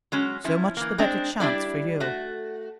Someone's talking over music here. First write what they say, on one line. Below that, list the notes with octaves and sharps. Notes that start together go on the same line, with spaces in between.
"So much the better chance for you."
F#3 G#3 C#4
F3 C#4 E4
E3 A#3
G#3 C4 D4
G3 D4 E4 D5
A3 F#4